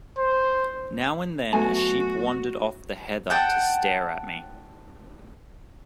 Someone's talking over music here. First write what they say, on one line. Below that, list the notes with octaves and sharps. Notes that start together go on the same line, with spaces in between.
Now and then a sheep wandered off the heather to stare at me.
C5
F#3 A3 B3 F#4 G#5
F#5 G5 A5